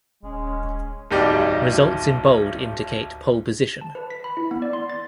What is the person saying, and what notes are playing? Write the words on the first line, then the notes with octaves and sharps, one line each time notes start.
Results in bold indicate pole position.
D#1 G#3 C#4
D1 B1 G#2 D#4 G4 D5
A5
B4
B6
B5
E4
B3
D5
C6
A6